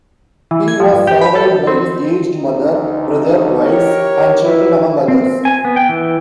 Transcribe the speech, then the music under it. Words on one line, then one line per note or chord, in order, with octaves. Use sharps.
He was survived by his aged mother, brother, wives and children, among others.
E3
G#6
F3
G2
G4
B5
A4
F#2
C4
D2 D#4
G4 A#4 C#5
E4 B4
C4
G#5
B3
G5
E3